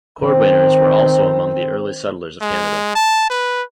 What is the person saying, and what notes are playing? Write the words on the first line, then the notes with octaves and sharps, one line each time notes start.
Cordwainers were also among the early settlers of Canada.
D#3 C4
G#3
A5
B4